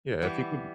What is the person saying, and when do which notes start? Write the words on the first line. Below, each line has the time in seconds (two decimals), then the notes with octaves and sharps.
Yeah, if you could
0.22 E3 G3 B3 E4